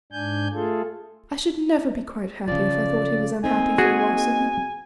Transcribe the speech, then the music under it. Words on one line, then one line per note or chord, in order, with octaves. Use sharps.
I should never be quite happy if I thought he was unhappy for the loss of me.
G#2 D4 G#5 G6
A3 F4 G#4 A4
C#3 F3 D5
A#3 C4 D#4 G#5
F#4 G#4